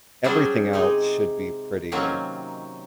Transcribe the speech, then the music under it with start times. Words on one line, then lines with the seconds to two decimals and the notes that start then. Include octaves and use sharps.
everything else should be pretty
0.24 F#3 G3 C#4 D4 G#4 C5
0.73 C3 G#3 D#4
1.92 C3 D#3 F#3 A#3 C4 C#4